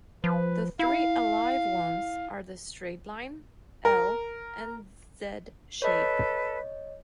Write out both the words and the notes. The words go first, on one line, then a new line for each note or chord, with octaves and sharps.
The three alive ones are the straight line, L and Z shape.
F3 B4
E4 F5
A#4
A4 B4 C#5 D#5